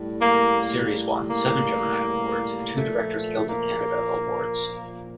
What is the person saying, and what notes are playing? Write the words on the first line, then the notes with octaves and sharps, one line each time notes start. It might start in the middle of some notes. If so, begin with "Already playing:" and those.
The series won seven Gemini Awards and two Directors Guild of Canada Awards.
Already playing: A2 G3
A#3
A#3
A#2 F3 A3
A#3